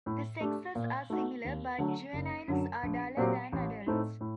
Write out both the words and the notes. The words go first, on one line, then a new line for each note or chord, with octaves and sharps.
The sexes are similar, but juveniles are duller than adults.
A2
A3 D4 G4
A#2
A3 D#4 F#4
D#2
D3 F#3 A3
F#1
F#2 D3 F#3
A#1
A#2 F#3 C4 G4
A1
A2 A3 C4 D#4
A2